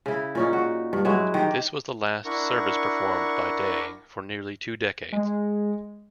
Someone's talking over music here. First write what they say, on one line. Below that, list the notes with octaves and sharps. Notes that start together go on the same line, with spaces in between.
This was the last service performed by Day for nearly two decades.
C#3 E4
A#2 C#4 D#4
F#4
G2
F#3 G#3 E4
D#3 G4
D4 E4 A#4 F#5 C#6
G#3